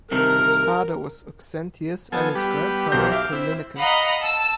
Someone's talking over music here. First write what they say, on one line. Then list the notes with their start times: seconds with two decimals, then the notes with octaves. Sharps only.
His father was Auxentius and his grandfather Callinicus.
0.11 G2 C3 D#3 A#4 F6
2.12 F3 B3 A4 G#5
2.35 G3 B3 G4
2.92 B1 B2 A#4 C5 G6
3.12 E5 F5 D6
3.32 C4 E4 C5
3.77 D#5 F5 F#5 A#5 B5
4.21 A5 E6